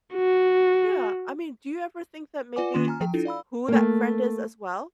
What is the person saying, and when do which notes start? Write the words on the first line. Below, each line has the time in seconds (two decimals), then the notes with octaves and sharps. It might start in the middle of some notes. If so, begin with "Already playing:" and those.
Yeah, I mean, do you ever think that maybe it's who that friend is as well?
0.14 F#4
2.56 F4 B4 D5 F#5 G#5 D6
2.74 D#3 A#3 C#4 F4 C6 E7
2.88 G#5 A#5 F6
3.01 F3 G5
3.14 D4 E4 F4 A4
3.25 D5 F5 B5 E6
3.68 A3 A#3